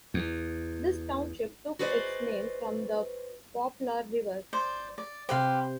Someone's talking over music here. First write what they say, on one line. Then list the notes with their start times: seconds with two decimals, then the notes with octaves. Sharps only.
This township took its name from the Poplar River.
0.14 E2
1.79 F#4 G#4 B4 C5 D5 D#5
4.53 C5 D5
4.98 D5
5.29 C3 G4 B4 C5 F5